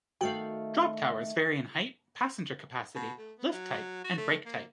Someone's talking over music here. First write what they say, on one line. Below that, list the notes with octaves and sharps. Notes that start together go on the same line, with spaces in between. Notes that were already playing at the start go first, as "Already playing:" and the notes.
Drop towers vary in height, passenger capacity, lift type, and brake type.
D#3 A3 F#4 F5 G5
B2
A3
B3
F#3
F#4
A3
A#3